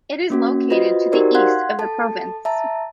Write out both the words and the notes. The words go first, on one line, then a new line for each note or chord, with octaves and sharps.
It is located to the east of the province.
A#3 C#4 F#4
F4 F#4 B4 C5 D#5
D#4 F#4 G4 A#4 C5 D5
F5 F#5 C6 F#6 G#6
A4 A5
E5 A5 A#5